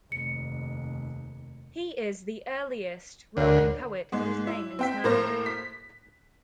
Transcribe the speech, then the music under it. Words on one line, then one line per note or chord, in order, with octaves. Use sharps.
He is the earliest Roman poet whose name is known.
F1 D#2 C#7
D2 A#4 C#5
G#2 G#3
E4
C4 G5 B6
A2 A#3 A#4 C5 A#6
B6